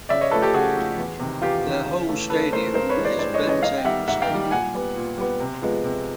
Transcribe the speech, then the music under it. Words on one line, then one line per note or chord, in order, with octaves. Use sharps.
Their home stadium is Benteng Stadium.
C#3 D5 E5
C#5 D#5
F3 A3 A4 B4
G4 A4
C#3 F#4 G#4
F3 A3
E2
C3 D#3
E2 F4 G4
C3 D#3
C#3
E3 A3
C#3 A4 B4
E3 A3 A#4 C5
G2 A#4 C5
B4 C#5
E3 G#3
C5 D5
G2 C5 D5
C#5 D#5
G#3
E3 C#5 D#5
G#2 D#5 F5
G5
D#3 G3 E5 F#5
G#2 E5 F#5
F5 G5
D#3 G3
A#2 F#5 G#5
G3 B3
A#2
G3 B3
C3
F3 G#3 B3
C3